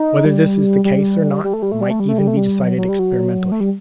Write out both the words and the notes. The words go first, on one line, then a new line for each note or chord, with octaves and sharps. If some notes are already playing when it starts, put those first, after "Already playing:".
Whether this is the case or not might even be decided experimentally.
Already playing: D#4
G3
G3
G3
A3
G3
A3
G3
A3
G3
A3
G3
A3
G3
F#3
F#3
G3
F#3
A3
G3